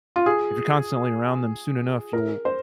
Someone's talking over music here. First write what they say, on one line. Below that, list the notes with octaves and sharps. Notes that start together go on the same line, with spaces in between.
if you're constantly around them, soon enough you'll
F4
G#4
A#4
C5